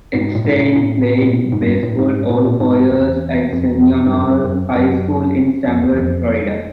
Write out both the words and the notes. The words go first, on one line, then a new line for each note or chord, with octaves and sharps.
Eckstein played baseball all four years at Seminole High School in Sanford, Florida.
G#2
A2
G#2
A2
A2
A2
A#2
B2
A2
G#2
F#2
G2
A2
G#2
A2
A#2
G#2
E2
F2
E2
F2
G2
F#2
F#2
F#2
F#2
F2
E2
F2